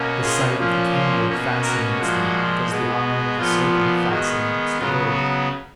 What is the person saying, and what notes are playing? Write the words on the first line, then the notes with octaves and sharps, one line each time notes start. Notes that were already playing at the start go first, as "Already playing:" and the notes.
The sight of the candle fascinates the moth as the eye of the serpent fascinates the bird.
Already playing: B2 A#3 C#4
F4 G#4
A#2 F3 A#3 C#4
F4
B2 A#3 C#4
F#4 A#4
A#2 F3 G#3 F#4
B2 G#3 B3
A#2 F3 B3 F4
D#3 G#3 B3 F#4
C#3 F#3 B3 F4
F#4